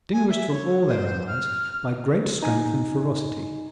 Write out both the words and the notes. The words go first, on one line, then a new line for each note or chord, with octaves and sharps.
'Distinguished from all their allies by great strength and ferocity.'
G#5
E5
C#5
C5
F6
D#4 G#5